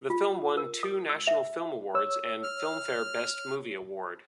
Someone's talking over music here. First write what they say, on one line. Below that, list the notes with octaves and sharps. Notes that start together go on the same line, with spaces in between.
The film won two National Film Awards and Filmfare Best Movie Award.
F4
A#4
D#6
E6
E5
C#5 E6
F6